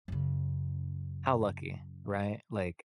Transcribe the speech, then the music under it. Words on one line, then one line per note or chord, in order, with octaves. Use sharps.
how lucky, right? Like,
F#2 C#3